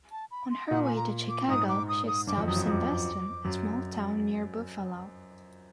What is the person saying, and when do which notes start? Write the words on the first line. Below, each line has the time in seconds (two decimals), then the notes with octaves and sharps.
On her way to Chicago she stops in Beston, a small town near Buffalo.
0.11 A5
0.31 B5
0.50 C6
0.70 A#2 F#5
0.84 G#5
0.96 A#5
1.29 D6
1.48 G#2 D#6
1.69 D6
1.89 D#6
2.07 D#6
2.27 G2 D6
2.37 F2
2.47 F#2 D#6
2.56 F2
2.67 F2 D#6
2.71 D6
3.45 F#2